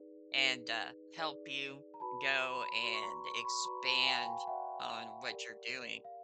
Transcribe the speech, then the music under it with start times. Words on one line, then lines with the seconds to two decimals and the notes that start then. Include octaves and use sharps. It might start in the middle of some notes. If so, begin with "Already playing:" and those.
and, uh, help you go and expand on what you're doing.
Already playing: D#4 G#4 B4 D5
0.36 D#4 G#4 B4 D5
1.18 D#4 G#4 B4 D5
1.94 A#5
2.00 F#4 B4 D5 A5 B5
2.42 C6
2.50 B5
2.57 A#5 C6
2.83 F#4 B4 D5 C6
2.93 C#6
3.03 A#5 C6
3.24 C#6
3.35 C6
3.45 B5 C#6
3.65 F#4 B4 D5 A#5 C6
3.87 A5 B5
4.03 G#5
4.06 F5 G5
4.20 G#5
4.27 F5 G5
4.47 F#4 B4 D5 E5 F#5
5.31 G4 A#4 D5
6.05 F5